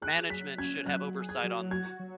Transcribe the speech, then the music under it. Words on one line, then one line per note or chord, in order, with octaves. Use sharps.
Management should have oversight on
G#4 F#6
F#3 B6
C#4 G#6
F#3 F#6
G#4
G#6
F#3
F#4 G#6
F#3